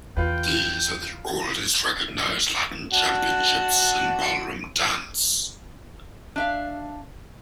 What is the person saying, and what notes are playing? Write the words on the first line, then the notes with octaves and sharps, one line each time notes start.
These are the oldest recognised Latin championships in ballroom dance.
E2 F4 B4 G5
D4 F#4
D4 E5 F5